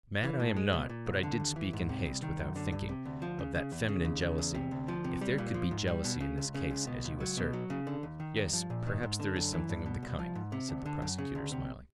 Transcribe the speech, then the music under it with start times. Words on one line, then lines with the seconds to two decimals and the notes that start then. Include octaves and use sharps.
"Mad I am not, but I did speak in haste, without thinking ... of that feminine jealousy ... if there could be jealousy in this case, as you assert ... yes, perhaps there is something of the kind," said the prosecutor, smiling.
0.23 E3
0.40 A2
0.56 G#3
0.73 B2
0.89 A#2
1.06 C2
1.23 D3
1.40 D#2
1.56 E3
1.73 G#2
1.89 C3
2.06 C2
2.22 D#3
2.39 F#2
2.56 D3
2.72 G2
2.89 C3
3.05 D2
3.22 F3
3.39 C#3
3.55 C#3
3.72 E2
3.88 C#3
4.05 D#2
4.22 C#3
4.38 E2
4.55 C3
4.71 D2
4.88 F3
5.04 C3
5.21 G3
5.38 A#2
5.54 F3
5.71 G#2
5.87 G3
6.04 B2
6.20 C#3
6.38 C#2
6.54 C#3
6.71 C#2
6.87 B2
7.04 C#2
7.20 F#3
7.37 B2
7.53 F#3
7.70 C#3
7.87 D3
8.03 D#2
8.20 D#3
8.37 G2
8.53 F3
8.70 A#2
8.86 D#3
9.03 G#2
9.20 D3
9.36 F#2
9.53 E3
9.69 G2
9.86 B2
10.03 C2
10.19 F3
10.35 G#2
10.52 C3
10.69 D2
10.85 D3
11.02 F#2
11.18 C#3
11.35 D2
11.52 C3